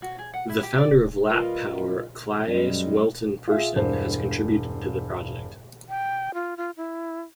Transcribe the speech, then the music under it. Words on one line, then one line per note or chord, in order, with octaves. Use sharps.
The founder of Lap Power Claes Wellton-Persson has contributed to the project.
F#4
G#4
F#5
E4
G4
D5
G3 F4 A#4 B4 D#5 F5
F#2 G3 G#3
F4 G#4 E5
E1 G2 C5
G5
F4
F4
E4